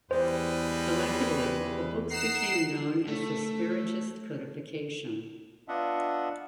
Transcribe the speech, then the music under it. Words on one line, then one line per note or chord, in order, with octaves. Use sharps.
Collectively, the books became known as the Spiritist Codification.
E2 G3 G#3 B4 C5
D#4 F#5 A#5 C7 E7
A3
B3 D4 F4 D#5 E5 F#5